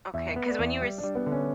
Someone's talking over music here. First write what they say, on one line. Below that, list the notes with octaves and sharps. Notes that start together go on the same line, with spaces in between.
Okay, 'cause when you were s
E2 E5
B3
D5
E2
G3
D4
G3
B3
D3
C#4